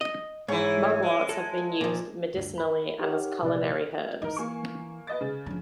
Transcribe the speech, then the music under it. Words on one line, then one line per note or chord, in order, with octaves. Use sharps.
Mugworts have been used medicinally and as culinary herbs.
D#5
G#2 E3 C#5
G#3
A4
A#2 F3
D2 G2
B5
D#4 G4 A#4 C#5 F#5
A#1 C3 E4 B4 D5
E3 D#4 A#4
A#3 G#5 C#6
B4 D#5 A6
C#3
F3 D4